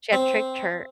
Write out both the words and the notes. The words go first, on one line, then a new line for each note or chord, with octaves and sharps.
She had tricked her
C4